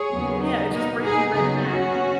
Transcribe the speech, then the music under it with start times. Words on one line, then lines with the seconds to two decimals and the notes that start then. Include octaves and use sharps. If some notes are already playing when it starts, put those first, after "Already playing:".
yeah, it just brings me right back
Already playing: G#4 C#5
0.11 D#2 C#3 F#3 B3
0.41 D#4
0.72 B2 B3 D#4
1.02 D#4 G#4
1.32 D#2 C#3 F#3 B3 D#4 G#4
1.63 C#4 F#4